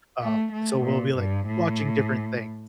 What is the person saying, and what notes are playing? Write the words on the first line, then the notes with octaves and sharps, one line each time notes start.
um, so we'll be, like, watching different things,
A3
A3
A#2
G2
A2